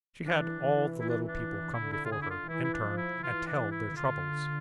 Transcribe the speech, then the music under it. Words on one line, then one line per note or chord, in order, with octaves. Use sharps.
She had all the little people come before her in turn and tell their troubles.
E3 D4
E3
E4
D4
D4
D3 E4
E4
F4
D3 G#4
E4
F4
E3 E4
E4
D4
F3
E4
E3 F4
D4
E4
D3 F4